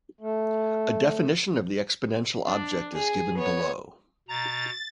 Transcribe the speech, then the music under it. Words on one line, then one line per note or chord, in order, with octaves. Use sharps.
A definition of the exponential object is given below.
A3
D4
G#4
B3 C#5
B2 A#5 A6